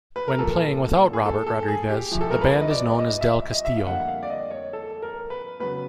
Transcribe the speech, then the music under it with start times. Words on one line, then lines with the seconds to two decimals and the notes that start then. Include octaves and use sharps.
When playing without Robert Rodriguez, the band is known as Del Castillo.
0.16 B4
0.28 A#4
0.38 A#2 F3 A#3 A4
1.13 G#4
1.26 A4
1.46 A4
1.68 G#4
1.90 G4
2.11 C2 C3 F3
2.21 A4
2.30 A#4
2.41 B4
2.61 D#5
2.70 D5
2.99 D#5
3.21 E5
3.52 D#5
3.65 E5
3.76 F5
3.86 F2 D3 G3 A#3 F#5
4.08 F5
4.23 D5
4.30 D#5
4.51 C#5
4.73 A4
5.02 A#4
5.30 B4
5.60 C#3 F#3 B3 B4